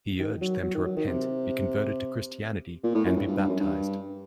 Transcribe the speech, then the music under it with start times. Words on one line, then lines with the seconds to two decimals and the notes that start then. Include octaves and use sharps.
He urged them to repent, be converted to Christianity, and be baptized.
0.19 D#3
0.41 F#3
0.63 F#3
0.74 D#3
0.85 F#3
0.97 D#3
1.07 C3
2.84 A#2
2.95 A2
3.05 F#2
3.16 G2
3.27 G2
3.38 G2
3.49 F#2
3.60 G2